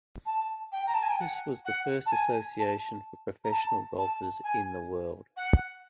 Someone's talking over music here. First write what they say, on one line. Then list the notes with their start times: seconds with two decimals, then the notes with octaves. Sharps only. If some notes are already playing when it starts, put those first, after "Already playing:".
This was the first association for professional golfers in the world.
0.26 A5
0.72 G5
0.86 A#5
0.94 A5
1.02 G#5
1.10 G5
1.19 F#5
1.65 F#5
2.06 A5
2.12 G#5
2.59 A5
3.44 A#5
3.51 A5
3.98 A5
4.43 G#5
5.36 F#5